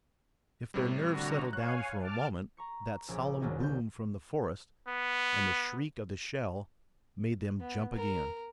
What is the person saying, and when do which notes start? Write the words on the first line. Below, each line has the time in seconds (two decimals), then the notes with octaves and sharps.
If their nerves settled down for a moment, that solemn boom from the forest and the shriek of the shell made them jump again.
0.74 A2 C3 G3
1.12 D3 F#4 A#5
1.53 C#5 F5 G#5 F#6
1.99 A5 D6 F6
2.57 A#5 C#6 C#7
3.08 A#1 C#4 G#4 D6
3.41 D#1 C2 D#3 C#4 F#4 D#5
3.60 G3 G6
4.88 B3
7.61 B3
7.95 A#4